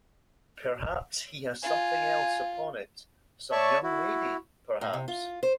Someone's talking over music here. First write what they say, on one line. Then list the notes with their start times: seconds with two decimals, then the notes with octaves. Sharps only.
Perhaps he has something else upon it — some young lady, perhaps?
1.64 F4 G#5
3.52 C#5 D5 E5 A5 C#6
3.83 E4 F#4
4.81 A2
4.93 C3
5.08 F4
5.43 C5